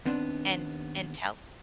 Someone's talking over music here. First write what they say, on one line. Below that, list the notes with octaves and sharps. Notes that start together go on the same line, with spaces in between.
and and tell
D#2 B3 C4 D4